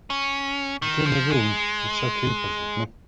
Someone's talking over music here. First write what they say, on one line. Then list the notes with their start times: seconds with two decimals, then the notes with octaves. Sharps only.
But in the room the settee puzzled me.
0.10 C#4
0.82 D#3
1.05 F3
1.30 G#3